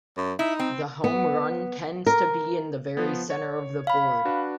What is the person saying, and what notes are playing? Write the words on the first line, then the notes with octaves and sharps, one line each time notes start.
The home run tends to be in the very center of the board.
F#2
D#4 E4
C4
B3
A#4
F3 B3
C#5
F5 B5
D4 F#4 B4